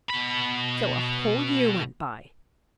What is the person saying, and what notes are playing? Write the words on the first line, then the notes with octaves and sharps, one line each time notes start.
So a whole year went by.
B2 B5